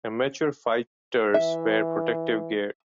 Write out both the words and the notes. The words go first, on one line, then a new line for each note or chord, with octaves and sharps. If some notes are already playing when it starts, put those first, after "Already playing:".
Amateur fighters wear protective gear.
E3 E5